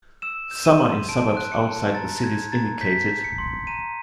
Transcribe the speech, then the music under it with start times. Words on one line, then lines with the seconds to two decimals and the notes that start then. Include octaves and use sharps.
Some are in suburbs outside the cities indicated.
0.22 E6 E7
0.51 G6
0.65 D#7
0.80 C6
1.09 A5 D7
1.37 F#6
1.52 C#7
1.66 A5
1.95 A#5 A6
2.24 G6 G#6
2.52 A#5 A6
2.81 G6 B6
3.10 G6
3.24 C#7
3.38 C6
3.67 A#5 D#7